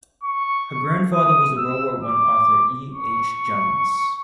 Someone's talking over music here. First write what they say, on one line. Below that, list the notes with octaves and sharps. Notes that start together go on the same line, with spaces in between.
Her grandfather was the World War One author E. H. Jones.
C#6
D#6
E6
D6
C#6